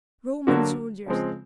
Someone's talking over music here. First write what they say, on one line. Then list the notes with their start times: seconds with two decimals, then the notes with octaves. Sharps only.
Roman soldiers!
0.47 D3 F#3 A#3 D4 F#4
1.06 C#3 F3 G#3 C4